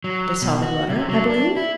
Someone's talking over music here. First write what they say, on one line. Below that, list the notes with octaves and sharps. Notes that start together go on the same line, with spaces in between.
"They saw the letter, I believe?"
F#3
B2
F#4
C3
F#3
D4
E4